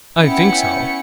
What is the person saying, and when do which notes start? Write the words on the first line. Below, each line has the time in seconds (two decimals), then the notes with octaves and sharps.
"I think so."
0.18 B3 C#4 E4 G5 C#7